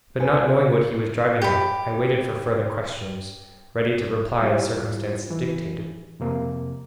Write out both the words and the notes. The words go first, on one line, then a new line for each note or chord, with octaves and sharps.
But not knowing what he was driving at, I waited for further questions, ready to reply as circumstances dictated.
A4 B4 G#5
G4 B5
G3 E4 F4 G4
E3
F2 C3 A#3